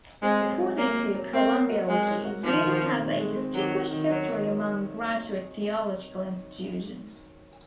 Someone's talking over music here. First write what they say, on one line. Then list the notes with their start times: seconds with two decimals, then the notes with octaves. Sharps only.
According to Columbia Wiki, Union has a distinguished history among graduate theological institutions.
0.22 G#3 C4
0.41 F#3
0.60 F#3
0.78 F#3 A#3
0.96 F#3
1.14 F#3
1.33 C4 A#4
1.51 C#4
1.69 F#4
1.88 G#3 F#4
2.07 C#4
2.25 F#4
2.43 D#3 F3
2.62 D#3
2.81 C4
2.98 D#3
3.17 G#3
3.35 C4
3.54 D#3 F#3
3.72 F#3
3.91 D#3
4.09 F#3 C#4
4.28 D#3
4.46 F#3